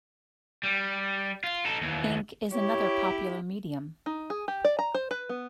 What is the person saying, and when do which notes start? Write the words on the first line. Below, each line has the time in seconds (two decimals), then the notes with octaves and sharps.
Ink is another popular medium.
0.63 G3
1.44 F4
1.65 D#4 A4
1.81 D#2 E3
2.53 E4 G4 C#5
4.06 D#4
4.30 G#4
4.48 G4
4.65 D5
4.79 A#5
4.94 C5
5.11 B4
5.29 B3